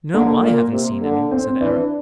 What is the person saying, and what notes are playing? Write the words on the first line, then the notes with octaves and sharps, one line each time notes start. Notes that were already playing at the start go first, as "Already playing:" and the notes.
'No, I haven't seen any', said Eric.
D3 A#3
A#2
C3
D3
C4
E3 D4